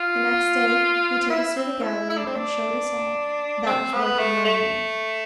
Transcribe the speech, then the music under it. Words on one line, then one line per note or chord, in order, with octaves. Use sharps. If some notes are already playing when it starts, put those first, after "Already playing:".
The next day he took us through the gallery, and showed us all that was worth admiring.'
Already playing: F4
E4
C4
E4
E4
D4
C4
D4
C4
B3
A3
A3